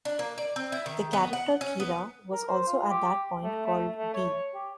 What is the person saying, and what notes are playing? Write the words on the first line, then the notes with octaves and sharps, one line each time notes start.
The character Kira was also at that point called Dee.
D4
A#3
D5
C4
E4
D#3
B3
F#5
C#4
B3
A#4
C5
F4
G4
A3
A3
A3
C#5
G4